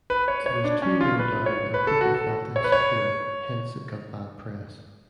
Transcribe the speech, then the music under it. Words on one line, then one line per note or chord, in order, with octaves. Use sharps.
It was too low down and people felt insecure, hence it got bad press.
B4
C#5
C#5
D4
C#4
F4
B4
C#5
B4
A4
F#4
A4
C#5
B4
C#5